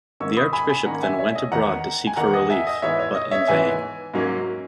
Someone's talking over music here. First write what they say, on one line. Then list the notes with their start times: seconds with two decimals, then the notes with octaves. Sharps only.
The archbishop then went abroad to seek for relief, but in vain.
0.20 G#2 D#3 A#3 C#4 C#6 E6
0.37 B5 D#6
0.53 G#5 B5
0.69 G#5 B5
0.85 G#2 D#3 A#3 C#4 F#5 A#5
1.03 E5 G#5
1.19 C#5 E5
1.35 D#5
1.51 E2 D#3 A#3 F#5 A#5
2.07 G#5
2.16 E2 D#3 A#3 F#5 A#5
2.33 D#5 F#5
2.50 E5 G#5
2.67 D#5
2.82 G#2 E3 B3 C#5 E5
2.99 C#5
3.15 D#5
3.31 C#5 E5
3.47 G#2 E3 B3 E5 G#5
4.14 G#2 F#3 A#3 C#4